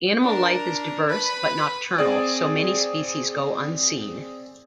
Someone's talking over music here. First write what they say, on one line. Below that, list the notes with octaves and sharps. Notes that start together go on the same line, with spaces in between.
Animal life is diverse but nocturnal, so many species go unseen.
D4 A#4
B4 B5
C4 G#4 D5